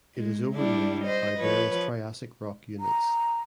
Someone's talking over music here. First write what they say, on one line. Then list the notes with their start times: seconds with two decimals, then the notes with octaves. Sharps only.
It is overlain by various Triassic rock units.
0.16 G#3
0.54 G3 D4 E4
1.04 C5 D#5
1.39 F3 B4 C#5
2.80 A#5